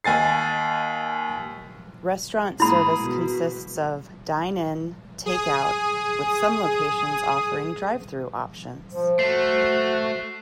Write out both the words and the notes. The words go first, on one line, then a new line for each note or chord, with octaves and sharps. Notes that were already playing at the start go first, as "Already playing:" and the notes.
Restaurant service consists of: dine-in, take-out, with some locations offering drive through options.
D#2 G#5 A6 C7
G#2 A#3 E4 G#4 B5
B2
G#4 D#6
F3 C5
A3 F#4 C7